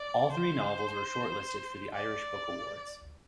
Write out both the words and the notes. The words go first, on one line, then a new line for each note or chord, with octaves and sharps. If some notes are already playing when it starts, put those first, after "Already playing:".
All three novels were shortlisted for the Irish Book Awards.
Already playing: D5
C5
D5